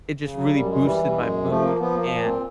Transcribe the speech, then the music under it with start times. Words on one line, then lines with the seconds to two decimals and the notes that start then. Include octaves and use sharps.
It just really boosted my mood, and
0.19 C#3
0.34 F#3
0.50 F#2 G3
0.67 G#3
0.82 E3 G3
1.03 G3
1.14 F#2 G#3
1.46 F3 A3
1.62 A#3
1.78 F3 B3
1.95 A#3
2.10 A#2 A#3
2.26 C4